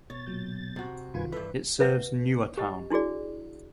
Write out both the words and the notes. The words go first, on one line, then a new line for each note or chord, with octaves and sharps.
It serves Nua town.
B2 C#5 A6
A#2 F#3 G6
C3 F#4
C2 G2 D#3 F4 B4 G#5
G2 E3 A4 B4 E5 B5
B4 E5 F#5
G4 D#5
D4 E4 F#4 G#4 D5